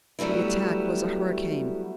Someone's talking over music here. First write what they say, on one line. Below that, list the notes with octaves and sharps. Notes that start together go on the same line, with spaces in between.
The attack was a hurricane.
F#3 G3 A3 B3 E4